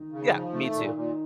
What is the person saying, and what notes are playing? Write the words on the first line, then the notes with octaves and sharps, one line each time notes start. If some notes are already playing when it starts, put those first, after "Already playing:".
Yeah, me too.
Already playing: D#3 D#4
C#3
F3
A3
A#2
A#2